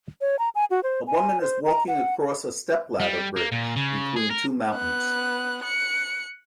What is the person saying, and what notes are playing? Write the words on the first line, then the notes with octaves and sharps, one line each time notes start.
A woman is walking across a step ladder bridge between two mountains.
C#5
A#5
G#5
F#4
C5
G#5
C5
A#5
F#5
G3
A#3
A#2
C#3
G#4
A#4
B3 F#6
F#6 C#7